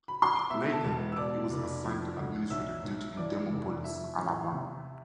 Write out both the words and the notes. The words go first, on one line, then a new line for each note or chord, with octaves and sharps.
Later, he was assigned to administrative duty in Demopolis, Alabama.
B5
C6
D6
B2 E5 E6
A4 A5
E1
E6
B2 D5 D6
F1
F3
D2
B1 E5 E6
B1
E3 D5 D6
F1
F3 E5
A1
C3